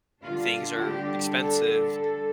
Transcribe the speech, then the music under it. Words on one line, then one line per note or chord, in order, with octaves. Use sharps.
things are expensive,
D3 G3 D4 F4
G4
A4
A4